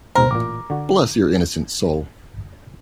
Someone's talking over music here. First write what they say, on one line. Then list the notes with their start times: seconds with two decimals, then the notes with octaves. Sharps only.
Bless your innocent soul!
0.15 D2 G#2 B2 C4 A#4 C5
0.31 A1 A#2 D6
0.70 D3 F#4